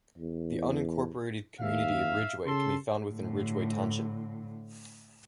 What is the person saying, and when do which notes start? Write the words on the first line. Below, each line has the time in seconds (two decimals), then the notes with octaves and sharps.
The unincorporated community of Ridgeway can be found within Ridgeway Township.
0.18 E2
1.61 D#2 E5 F5
2.46 C#3 A4 C6
3.11 A2 D3